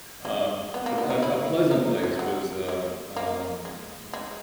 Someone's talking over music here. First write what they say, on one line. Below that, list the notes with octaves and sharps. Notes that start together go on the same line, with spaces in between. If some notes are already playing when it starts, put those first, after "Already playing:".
Um, a a a pleasant place was, um, um, uh
G#3
B3
A#3
B3
D#4
E4
D#4
G#3
F#3
G#3
A#3
G#3
G#3